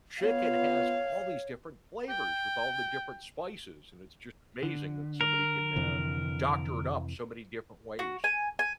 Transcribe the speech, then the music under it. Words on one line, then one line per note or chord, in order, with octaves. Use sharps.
chicken has all these different flavors with all the different spices, and it's just amazing that somebody can, uh, doctor it up so many different ways.
B3 F4 C#5 F5
G5
D3
A#4
F2 C3 E3
F#4
G#5
G#5